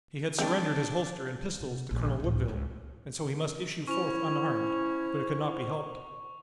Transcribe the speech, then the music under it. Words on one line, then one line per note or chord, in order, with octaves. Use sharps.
He had surrendered his holster and pistols to Colonel Woodville, and so he must issue forth unarmed, but it could not be helped.
E3 G#3 B3 C4 D4 G5
C3
A#1
C#2 A2
C#2 E4
C#4 E4 C5 C#6 F7